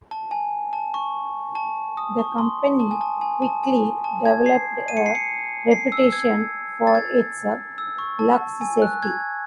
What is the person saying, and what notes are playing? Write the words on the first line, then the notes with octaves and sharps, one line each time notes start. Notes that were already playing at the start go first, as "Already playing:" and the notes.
The company quickly developed a reputation for its lax safety.
A5
G#5
A5
C#6
A5
D#6
C#6
C6
A5
G#5
A5
G#5
A5
G#5
A5
G#6
C7
D#7
C#7
C7
C#7
C7
E6
G#6
A6
G#6
E6
C#6
A5
G#5
F#6
G#6